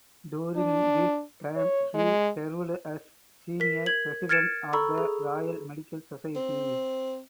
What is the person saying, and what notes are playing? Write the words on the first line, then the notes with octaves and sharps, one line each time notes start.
During this time he served as senior president of the Royal Medical Society.
D4
C#5
G#3
A#4 B6
G#6 F#7
F6 G#6 A6 C#7 D7 E7
A4 A#5 B5 C#6 E6
G#4
C4